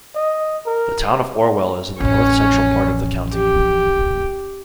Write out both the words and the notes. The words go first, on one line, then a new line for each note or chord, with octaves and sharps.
The Town of Orwell is in the north-central part of the county.
D#5
A#4
A1 F2 C#4 C#5
G4